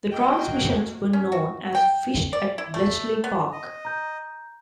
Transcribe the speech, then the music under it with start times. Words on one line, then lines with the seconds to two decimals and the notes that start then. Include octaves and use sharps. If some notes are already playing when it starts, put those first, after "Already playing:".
The transmissions were known as Fish at Bletchley Park.
0.12 F#3 A#3 D#5 G5
1.13 C#4
1.32 F#4
1.75 G5
2.33 D5
2.58 E4
2.74 A3
3.24 B3
3.52 D#5
3.85 A#5 G6